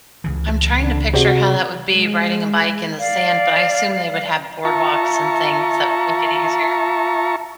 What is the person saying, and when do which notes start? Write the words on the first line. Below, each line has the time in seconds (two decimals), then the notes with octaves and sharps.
I'm trying to picture how that would be riding a bike in the sand, but I assume they would have boardwalks and things that make it easier.
0.24 C#2 C#3 E3
0.81 D3
1.14 C3 F#4 G#4 D5 F#5
1.92 G#3
2.98 D5 F5
4.65 F4 E5 A5 A#5 C#6